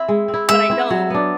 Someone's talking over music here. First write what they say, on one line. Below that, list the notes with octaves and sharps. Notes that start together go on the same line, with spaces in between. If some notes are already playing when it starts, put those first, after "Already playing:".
but I don't.
Already playing: C4 E4 E5
G#3
C4
E4
G#3 E5
C4 E4
F#3
B3 D4